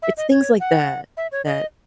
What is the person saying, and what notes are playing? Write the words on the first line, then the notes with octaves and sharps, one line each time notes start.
It's things like that that
E5
D#5
C#5
F#5
E5
C#5
D#5